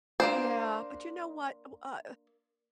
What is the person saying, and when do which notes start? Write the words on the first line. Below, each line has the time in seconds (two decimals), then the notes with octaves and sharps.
Yeah, but, you know what, uh,
0.20 A#3 D4 C5